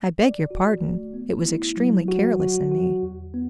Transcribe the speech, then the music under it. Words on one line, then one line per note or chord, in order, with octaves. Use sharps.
"I beg your pardon; it was extremely careless in me."
D5
F#4
A3
B3
E4
F#3
F#4
F#4
F#4
E2
B3